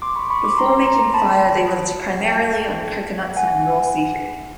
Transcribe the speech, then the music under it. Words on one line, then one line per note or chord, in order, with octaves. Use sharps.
Before making fire they lived primarily on coconuts and raw seafood.
C6 D6
B5 C#6
B5 C#6
C6 D6
A#5 C6
A#5 C6
A5 B5
G5 A5
F#5 G#5